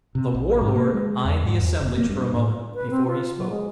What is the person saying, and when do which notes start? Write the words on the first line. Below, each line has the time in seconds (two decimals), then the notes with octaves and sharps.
The Warlord eyed the assemblage for a moment before he spoke.
0.15 C3
0.34 A#1
0.61 G#2
0.75 A#3
0.94 G#3
1.25 E2
1.43 G#2
1.60 E2
1.81 F1
1.98 A#3
2.10 G2
2.33 A2
2.75 B4
2.91 C4
3.07 F4
3.37 F#3
3.51 G#3